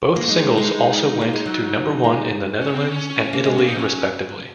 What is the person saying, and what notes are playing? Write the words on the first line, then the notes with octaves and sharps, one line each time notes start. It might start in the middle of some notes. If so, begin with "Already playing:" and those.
Both singles also went to number one in the Netherlands and Italy, respectively.
A#3
G#3 D#4
G#3
A#3
G#3
F#3
G#3
C#4
C4
C#4
A#3
G#3
A#3
D#4
F#3 C#4